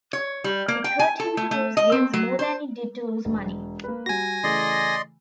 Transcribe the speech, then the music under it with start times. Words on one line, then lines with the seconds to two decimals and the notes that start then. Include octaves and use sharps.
It hurt him to lose games more than it did to lose money.
0.13 C#5
0.44 G3
0.68 A#3
0.84 G5
0.99 G#5
1.20 A4
1.37 A3
1.51 A3
1.77 D#5
1.92 C4
2.13 F#3
2.39 C5
3.25 E1
3.84 A#3 B4
4.06 G3 F#4 G#5 A#6
4.44 C#3 E3 A3 D5 D#5 C6